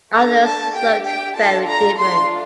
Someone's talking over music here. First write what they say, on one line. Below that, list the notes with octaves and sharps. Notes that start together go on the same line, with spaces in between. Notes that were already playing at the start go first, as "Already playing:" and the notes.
Others looked very different.
A3 D4 A4 A#5
A5
D4 G4 G5
G5
D4 F4 A4 A5
A#5
A3 D4 F4 C6